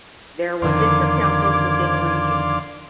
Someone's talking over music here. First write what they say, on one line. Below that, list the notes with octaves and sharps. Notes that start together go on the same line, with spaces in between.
There were district councils within the regions.
F2 D3 D#3 D5 F5 C6 D6 G#6